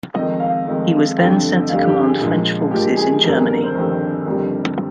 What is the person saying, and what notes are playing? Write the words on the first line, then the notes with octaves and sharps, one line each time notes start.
He was then sent to command French forces in Germany.
F2 D#3 G#3 D#5
F5
F2 D#3 G#3
G1 F2 D3 G3 G5
D#5
G1 F2 D3 G3 F5
G4
G#4
A#1 A#2 F3 G#3 G#4
A#1 A#2 F3 G#3 G4
G#4
G1 F2 D#3 G3 A#4
G#4
A#4
C5
G1 F2 D#3 G3 A#4
G1 F2 D#3 G3